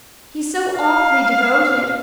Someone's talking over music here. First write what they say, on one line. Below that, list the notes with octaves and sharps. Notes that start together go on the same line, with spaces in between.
"He's so awfully devoted!"
F5